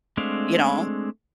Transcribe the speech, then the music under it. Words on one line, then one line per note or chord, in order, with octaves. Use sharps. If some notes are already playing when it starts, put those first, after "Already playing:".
you know?
G#3 A3 C4 D4 F5